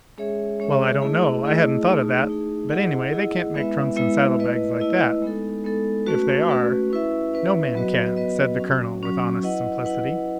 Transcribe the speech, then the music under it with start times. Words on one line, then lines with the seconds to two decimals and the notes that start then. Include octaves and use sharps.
"Well, I don't know--I hadn't thought of that--but anyway they can't make trunks and saddle-bags like that, if they are--no man can," said the Colonel with honest simplicity.
0.18 G#3 C#4 G#4 C#5 E5
0.60 G#3 C#4 G#4 C#5 E5
1.02 A3 E4 G#4 D#5
1.44 A3 E4 G#4 D#5
1.86 A3 D#4 G#4
2.29 A3 D#4 G#4
2.71 E4 G#4 D#5 F#5
3.13 E4 G#4 D#5 F#5
3.55 G#3 B3 E4 B4 E5
3.96 G#3 B3 E4 B4 E5
4.39 A3 E4 B4 D#5
4.80 A3 E4 B4 D#5
5.22 G#3 B3 D#4 A4
5.64 G#3 B3 D#4 A4
6.06 A3 C#4 F#4 B4
6.48 A3 C#4 F#4 B4
6.90 C#4 E4 B4 E5
7.33 C#4 E4 B4 E5
7.74 F#3 B3 F#4 B4 D#5
8.17 F#3 B3 F#4 B4 D#5
8.58 F#3 C#4 F#4
9.01 F#3 C#4 F#4
9.43 E4 B4 D#5 F#5
9.85 E4 B4 D#5 F#5